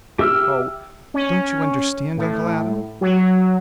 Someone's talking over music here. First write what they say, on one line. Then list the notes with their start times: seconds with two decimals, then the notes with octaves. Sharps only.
"Oh! don't you understand, Uncle Adam?"
0.19 G4 E5 E6 F6
1.14 C#4
2.17 A2
3.01 F#3